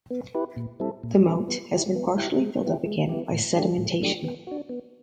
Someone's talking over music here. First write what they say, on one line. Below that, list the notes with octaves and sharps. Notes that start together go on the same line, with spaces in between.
The moat has been partially filled up again by sedimentation.
B3
E4 G4 B4
A#2
G3 C4 E4 A4
A#2
G3 C4 E4 A4
B3
E4 G4
B3
E4 G4
G#3
B3 E4 G4
G#3
B3 E4 G4
A2
F#3 A3 D4 G4
A2
F#3 A3 D4 G4
B3
D4 F#4
B3